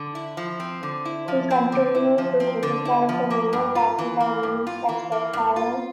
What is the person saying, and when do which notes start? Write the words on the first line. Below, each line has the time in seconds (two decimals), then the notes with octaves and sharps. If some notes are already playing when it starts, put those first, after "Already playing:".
He continued to criticise the Labour Party by means of satire.
Already playing: D3
0.15 E4
0.37 F3
0.60 C4
0.83 D3
1.05 E4
1.28 F3
1.50 C4
1.72 D3
1.95 E4
2.18 F3
2.40 C4
2.63 D3
2.85 E4
3.09 F3
3.30 A#3
3.53 G2
3.75 F4
3.99 E3
4.20 A#3
4.43 G2
4.67 F4
4.89 E3
5.12 A#3
5.33 G2
5.56 F4